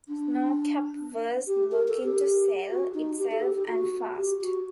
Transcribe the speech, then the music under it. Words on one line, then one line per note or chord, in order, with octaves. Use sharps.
Snocap was looking to sell itself and fast.
D4
G4
A#4
A4
G4
F#4
D#4
G4
A4
G4
G4
F#4
G4
F#4